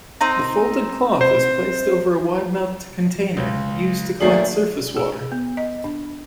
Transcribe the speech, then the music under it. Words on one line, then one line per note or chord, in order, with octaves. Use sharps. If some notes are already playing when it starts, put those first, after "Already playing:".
The folded cloth is placed over a wide-mouthed container used to collect surface water.
C4 D#4 A#5
C5
C#2
A#2 D#3 A3 G#4 D5 C7 F#7
G#4
B3
D#5
D4